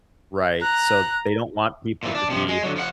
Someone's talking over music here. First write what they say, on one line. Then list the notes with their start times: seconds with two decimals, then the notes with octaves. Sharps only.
Right. So, they don't want people to be
0.62 A#5 F#6
2.03 A#2 E3
2.15 D4
2.30 C3 F3
2.48 G#3
2.63 D3 F#3
2.76 F3 F#5